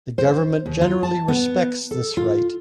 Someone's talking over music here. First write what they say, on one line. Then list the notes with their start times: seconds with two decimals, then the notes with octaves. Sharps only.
The government generally respects this right.
0.18 C5
0.66 D#2
0.81 F4
1.03 A5
1.28 B3
1.91 A4
2.17 F4